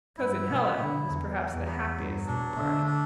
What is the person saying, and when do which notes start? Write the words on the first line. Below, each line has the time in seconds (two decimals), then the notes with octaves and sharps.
Cousin Helen was perhaps the happiest of the party.
0.18 G2 E4
0.48 B2 B3
0.77 D3 E4
1.07 E2 F#3
1.37 F#3
1.52 E2
1.67 B3
1.96 G2 F#3
2.27 B2 D4
2.56 D3 A3
2.86 D4